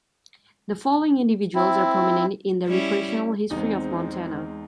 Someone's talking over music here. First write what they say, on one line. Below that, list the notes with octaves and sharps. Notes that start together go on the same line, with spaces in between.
The following individuals are prominent in the recreational history of Montana.
C4 E4
G3 C#4 E4
E2 G#3 C4 D#4